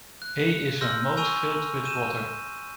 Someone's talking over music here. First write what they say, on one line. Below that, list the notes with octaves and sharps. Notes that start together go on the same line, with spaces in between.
A is a moat filled with water.
F#6
C6 E6 F6 G6 A#6
G#5 B5 C#6 E6 D#7 F7
G6 D#7 E7